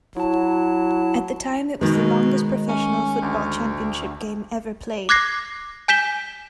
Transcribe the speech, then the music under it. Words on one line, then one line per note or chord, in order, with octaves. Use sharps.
At the time it was the longest professional football championship game ever played.
F#3 E4 A5
B2 D#3 G#3
C#4
D2
D6 F#6 G#6 A#6 C7
G#5 G6 B6 E7 G7